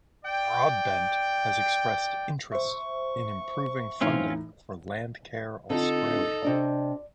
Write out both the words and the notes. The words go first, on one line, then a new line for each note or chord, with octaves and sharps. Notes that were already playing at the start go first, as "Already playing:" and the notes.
Broadbent has expressed interest in improving funding for Landcare Australia.
D5 G5
C5 E5 C#6
A2 E3 C4 C#4 D#4 F4
D3 C4 D4 D#4 F4 A4
C3 D4 D5 D#5